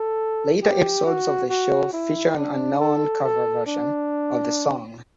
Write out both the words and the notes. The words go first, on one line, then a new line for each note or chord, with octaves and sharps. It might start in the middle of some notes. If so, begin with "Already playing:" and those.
Later episodes of the show feature an unknown cover version of the song.
Already playing: A4
G4
F#4
F#4
E4
D4
A4
A4
D4